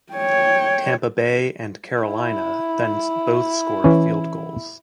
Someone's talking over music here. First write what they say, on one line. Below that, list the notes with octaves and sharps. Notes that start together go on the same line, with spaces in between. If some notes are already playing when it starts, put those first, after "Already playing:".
Tampa Bay and Carolina then both scored field goals.
C#5 G5
E4
E3 C#4